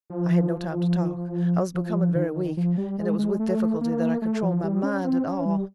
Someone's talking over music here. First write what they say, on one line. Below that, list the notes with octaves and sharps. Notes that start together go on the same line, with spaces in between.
I had no time to talk, I was becoming very weak and it was with difficulty that I controlled my mind at all.
F3
F3
D#3
F3
G3
G#3
G#3
A3
A#3
A3
F3
G3
C#4
C4
C#4
G3